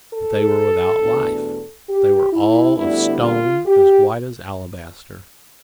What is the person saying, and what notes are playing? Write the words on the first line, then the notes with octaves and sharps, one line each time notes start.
But they were without life--they were all of stone as white as alabaster.
A4
E2 B2 A3 D4
G4
E4
D2 D3 G3 B3 D4 E4
F4
G4